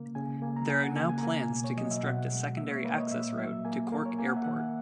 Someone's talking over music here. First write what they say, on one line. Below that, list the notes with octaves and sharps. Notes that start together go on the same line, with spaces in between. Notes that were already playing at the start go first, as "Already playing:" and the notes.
There are now plans to construct a secondary access route to Cork Airport.
Already playing: C#3 A#3
C#3 G#5
A#3 G#5
A#5
C#3 G#5
F#5
A#3 G#5
G#5
A#5
A#3 G#5
G#5
B2
C#5
F#3 D#5
E5
B2 F#5
G#3
A#3 E5
C#5
A#3 B4
D#5
C#5
A#2 E5
F#3 E5
A#3 G#5
A#3 A#4
C#5
A#3 G#5
F#5
E5
D#3 F#5